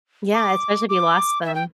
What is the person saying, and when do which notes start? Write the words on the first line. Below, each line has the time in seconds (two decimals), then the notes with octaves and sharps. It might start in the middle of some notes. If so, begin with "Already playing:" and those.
Yeah, especially if you lost them.
0.34 D6
0.89 D6
1.45 E5
1.55 G5